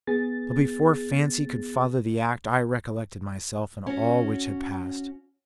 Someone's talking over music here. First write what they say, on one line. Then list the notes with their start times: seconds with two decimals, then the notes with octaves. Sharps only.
But before fancy could father the act, I recollected myself and all which had passed.
0.07 B3 G#4 A6
3.86 C#4 F#4